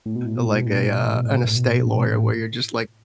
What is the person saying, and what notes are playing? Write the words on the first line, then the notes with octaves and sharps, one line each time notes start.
like a, uh, an estate lawyer where you're just
A2
B2
A2
B2
A2
B2
A2
B2
A2
B2
A2
B2
A2
B2
A2
B2
A2
B2
A2
B2
A2